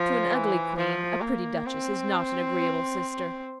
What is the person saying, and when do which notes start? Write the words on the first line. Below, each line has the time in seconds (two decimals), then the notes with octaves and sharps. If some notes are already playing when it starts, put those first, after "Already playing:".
To an ugly queen, a pretty duchess is not an agreeable sister.
Already playing: F3
0.34 E3
0.77 F3
1.21 A#3
1.65 C4